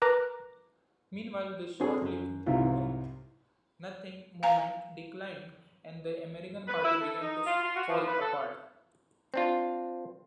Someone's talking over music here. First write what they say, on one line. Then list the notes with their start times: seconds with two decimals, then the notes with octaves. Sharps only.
Meanwhile, the short-lived Know-Nothing movement declined and the American Party began to fall apart.
0.02 A#4 B4 A#5 D6 F#6 A#6
1.80 C4 D4 F#4 G#4 A4
2.02 F#2
2.46 C2 G#2 C3 E4 F4
4.43 F5 G#5 A#5
6.68 B4
6.84 E4
7.01 A4
7.21 D#4
7.46 F4
7.63 F4
7.75 F#4
7.89 F3
8.08 B4
8.20 A4
9.34 C4 D4 F4